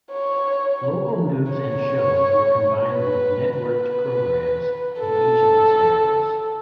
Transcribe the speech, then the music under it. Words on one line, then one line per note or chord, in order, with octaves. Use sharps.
Local news and shows were combined with networked programmes in each of its areas.
C#5
C#5
B4
B4
A4